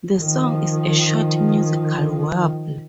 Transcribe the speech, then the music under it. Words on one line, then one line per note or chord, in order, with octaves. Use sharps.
The song is a short musical warble.
D#3 F3